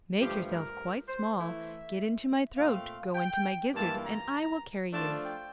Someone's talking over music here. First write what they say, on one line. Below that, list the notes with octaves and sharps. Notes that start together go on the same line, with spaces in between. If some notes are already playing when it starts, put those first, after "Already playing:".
Make yourself quite small, get into my throat--go into my gizzard and I will carry you.'
G2 F3 A3 G4
A#4
C5
E3 A3 E4 E5
A#2 A3 C4 F5
G5
G2 E3 A#3 F4 A5
A#5
F3 A3 D4 F4 A5
G5